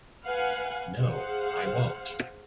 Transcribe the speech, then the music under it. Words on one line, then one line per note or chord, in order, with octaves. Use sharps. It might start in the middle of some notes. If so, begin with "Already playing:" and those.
No, I won't!
B4 F5 F#5 G#5
G#4 C5 F5 F#5